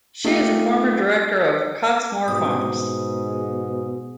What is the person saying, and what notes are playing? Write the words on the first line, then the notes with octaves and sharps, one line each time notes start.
She is a former director of Cottesmore Farms.
A3 D#4 F4 G4
G#2 B2 D#6